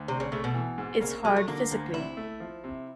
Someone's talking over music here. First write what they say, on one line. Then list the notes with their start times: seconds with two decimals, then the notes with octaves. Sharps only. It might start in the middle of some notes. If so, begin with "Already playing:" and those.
It's hard physically.
Already playing: D2
0.08 C3 C4
0.20 C#3
0.32 C#3 A3
0.44 B2
0.54 E3
0.78 G#2
1.01 C#3 A#3
1.24 F#3 G#3
1.36 A3
1.48 D3 A#3
1.71 D2
1.94 C3 E4
2.17 A3
2.40 F3
2.64 C3